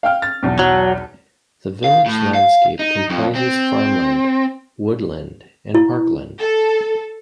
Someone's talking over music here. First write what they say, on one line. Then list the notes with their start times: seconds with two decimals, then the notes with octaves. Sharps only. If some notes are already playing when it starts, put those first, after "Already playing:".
The village landscape comprises farmland, woodland and parkland.
0.03 F5 G5 F6
0.22 A6
0.43 B1 E2
0.59 F#3
1.84 F5
2.06 A2
2.35 F5
2.79 D#4
3.10 F2
3.35 C4
5.75 E4
6.39 A4